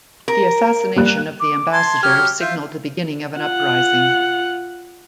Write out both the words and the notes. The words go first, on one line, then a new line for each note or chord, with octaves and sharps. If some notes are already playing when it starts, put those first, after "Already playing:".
The assassination of the ambassador signaled the beginning of an uprising.
A#4
G3 A#3 F#6
D6
A5 C6 G#6
F#3 G4 F6
F4 E5 G6
F4 F#5